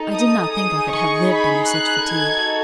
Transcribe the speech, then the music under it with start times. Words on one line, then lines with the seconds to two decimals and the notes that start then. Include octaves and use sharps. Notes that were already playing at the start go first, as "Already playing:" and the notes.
I did not think I could have lived under such fatigue.
Already playing: D#4 A4
0.15 D#6
0.53 D#4 G#4 D#6
0.91 C#6
1.30 B5
1.68 F#6
2.06 D#4 F#4 A4 G#6